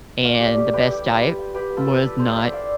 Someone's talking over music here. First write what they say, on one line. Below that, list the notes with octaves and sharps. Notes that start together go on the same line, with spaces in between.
and the best diet was not
A3 D5 F5
A3 G4
A3 G4
E4 G4 B4
G3
G3
F4
F4
B3 G4 B4
B3
F4 A4
B3
G4 B4
D4
B3 A4 C5
B3 C5 E5
E4 D5 F5